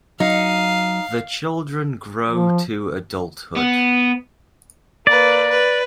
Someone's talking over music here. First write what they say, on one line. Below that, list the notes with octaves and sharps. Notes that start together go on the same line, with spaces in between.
The children grow to adulthood.
F#3 D#4 F5
F3
B3
A#3 B4 D5
B4